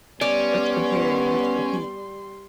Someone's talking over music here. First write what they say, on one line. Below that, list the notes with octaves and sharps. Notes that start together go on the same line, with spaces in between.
Let's compare and let's compete.
G3 B3 C#4 D5 C6